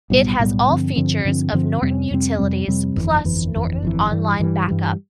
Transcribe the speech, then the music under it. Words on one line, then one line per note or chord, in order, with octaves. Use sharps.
It has all features of Norton Utilities plus Norton Online Backup.
B1 A2 G3 B3
B1 A2 G3 B3
G2 D3 F3 C4
G2 D3 F3 C4
G2 D3 F3 C4
G2 D3 F3 C4
F2 C3 G3 C4
F2 C3 G3 C4
F2 C3 G3 C4
F2 C3 G3 C4
G1 F2 E3
G1 F2 E3
G1 F2 E3
G1 F2 E3
G2 E3 G3
G2 E3 G3
G2 E3 G3